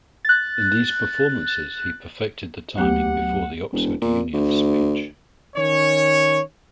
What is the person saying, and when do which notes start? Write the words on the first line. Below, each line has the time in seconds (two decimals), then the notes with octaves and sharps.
In these performances he perfected the timing before the Oxford Union speech.
0.25 F#6 A6
2.77 D2 F#3 A3 B3 G4 F#5 F#6
3.72 E1
4.01 A#2
4.33 D2
5.56 D#3 C#4 C#5